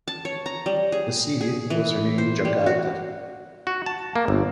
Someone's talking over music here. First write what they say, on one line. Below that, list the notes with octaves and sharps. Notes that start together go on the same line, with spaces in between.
The city was renamed Jakarta.
A5
C#5
A#5
G3
G#4
G#4
E3
C5
G3
F#4
F#4
A5
A#3
G1